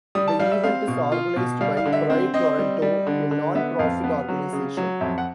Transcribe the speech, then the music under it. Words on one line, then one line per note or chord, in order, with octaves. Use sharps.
The event is organized by Pride Toronto, a non-profit organization.
G3 D#6
A5
G3 F5
E5
C4 F5
B2
F4
B2
G3 F5
F5
D3
E5
C4
C4 D#5
G3
G3
D3
D3
B3 E5
F2 F5
B3
F#3
C#3
F#3
F2 E5
F#5